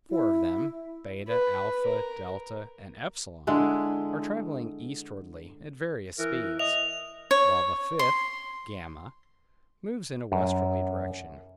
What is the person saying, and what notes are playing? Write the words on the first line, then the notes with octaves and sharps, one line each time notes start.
Four of them, Beta, Alpha, Delta, and Epsilon are traveling eastwardly at various speeds, while the fifth, Gamma, moves in a westerly direction.
E4
B4
A#4
D3 G#3 E4
E3 A#4
D#5 E5 F7
C#5
C6
F#2